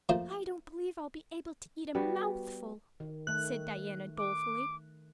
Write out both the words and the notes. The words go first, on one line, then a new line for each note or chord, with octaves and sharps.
"I don't believe I'll be able to eat a mouthful," said Diana dolefully.
F3 A3 A#3 F4 C5
G3 B3 F#4
D#3
D#3 A3 F#6
D6